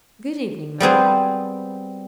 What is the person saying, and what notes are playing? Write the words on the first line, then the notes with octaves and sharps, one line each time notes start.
'Good evening, Mother.'
G3 B3 C4 G#4